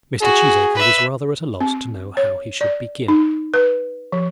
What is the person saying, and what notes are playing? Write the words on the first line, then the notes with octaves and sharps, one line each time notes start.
Mr. Cheesacre was rather at a loss to know how he should begin.
F#4 G#4
B4 E5
C4
C#5
D5
D#4
B4
F3